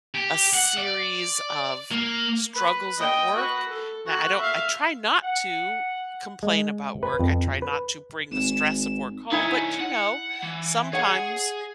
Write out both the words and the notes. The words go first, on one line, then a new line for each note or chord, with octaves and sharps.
a series of struggles at work, now I don't I try not to complain about work, I try not to bring the stress of work home, but, you know, sometimes
G4
F#5
D5
A#3
B4
D#5 G5
F#4 B4
A4
F#4
E5 F5
F#5
G#3
B4
F2
B4
G#1 E7
D#3 C#4 D#4 E4 G#5
F#5
E3
G#4 C#5 F#5